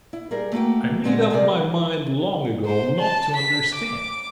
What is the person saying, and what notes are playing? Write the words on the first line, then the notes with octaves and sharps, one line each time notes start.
I made up my mind long ago not to understand.
E4
G3 G#4 A#4
A3 A#3 F#4 G5
A#2 D3 G#3 B3 G#4
C3 G#3 G4 G#4 A#4 D5
C5
A5
B6
D6